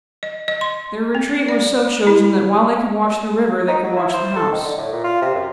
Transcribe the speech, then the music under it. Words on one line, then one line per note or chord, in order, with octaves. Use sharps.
Their retreat was so chosen that while they could watch the river, they could watch the house.
D#5
D#5
C6
C4
D5
E4
D#4
F#3
E4
C5
A4
D#3
D3
A2
A#2
F4
C3
F#2